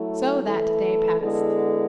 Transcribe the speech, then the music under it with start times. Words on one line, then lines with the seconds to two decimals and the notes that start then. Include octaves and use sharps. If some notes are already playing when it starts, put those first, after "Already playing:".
So that day passed.
Already playing: F#3 A3 E4 A4
0.45 E3 A3 E4 A4
1.21 D3 G#3 B3 E4 A4